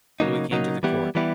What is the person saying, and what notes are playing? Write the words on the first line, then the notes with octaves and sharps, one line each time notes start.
So he came to the court ...
C#3 F#3 A#3 D#4
C#3 F#3 A#3 D#4
E3 G3 B3 E4 G4
E3 G3 B3 E4 G4